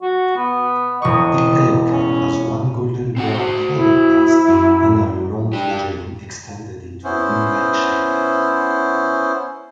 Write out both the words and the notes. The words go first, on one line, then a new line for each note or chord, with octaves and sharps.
"Dictyocha" has one golden-brown chloroplast and a long flagellum extended into a wing-like shape.
F#4
B3
E1 D#5 C#6
C#4
C4 F#4 F#5
F#4 C5
E4
F#2
D4 G4
B3 C#4 E4 C5